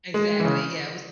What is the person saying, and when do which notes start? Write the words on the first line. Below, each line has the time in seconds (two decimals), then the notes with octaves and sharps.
Exactly. Yeah, it was
0.14 G#3
0.40 E3
0.45 C#3